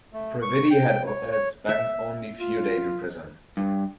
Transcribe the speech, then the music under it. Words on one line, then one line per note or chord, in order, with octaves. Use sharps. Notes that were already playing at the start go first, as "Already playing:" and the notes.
Previti had spent only few days in prison.
A3
C#6
G5
C#5
C#5
E5
F4
G2